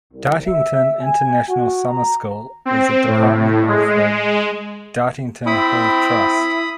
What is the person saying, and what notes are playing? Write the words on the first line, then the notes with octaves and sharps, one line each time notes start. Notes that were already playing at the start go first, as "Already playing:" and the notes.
Dartington International Summer School is a department of The Dartington Hall Trust.
C2
E5
G#5
F#4
A#5
C4
A2
G#3
C4 E4 B5 D#6